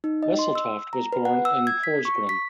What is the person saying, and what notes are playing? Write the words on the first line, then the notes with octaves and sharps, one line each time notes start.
Wesseltoft was born in Porsgrunn.
D#4
D#5
C6
E6
A#5
B4
F#5
E6
G#6
B6
C#6
B6